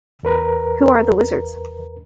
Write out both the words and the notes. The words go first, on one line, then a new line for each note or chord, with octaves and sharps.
Who are the Wizards?
E2 A#4 B4 A#5